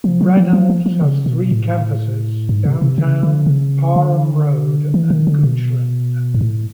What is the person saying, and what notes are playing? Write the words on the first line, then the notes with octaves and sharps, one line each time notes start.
Reynolds has three campuses: Downtown, Parham Road, and Goochland.
F3
F#3
F3
F#3
F3
F3
C#3
B2
A2
G#2
C3
C3
C#3
D3
C#3
D3
E3
D#3
D3
B2
G#2
A2